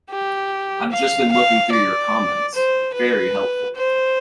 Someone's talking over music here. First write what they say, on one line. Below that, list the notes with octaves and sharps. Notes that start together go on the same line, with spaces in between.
I've just been looking through your comments; very helpful.
G4
F5
F5
D5
C5
B4
C5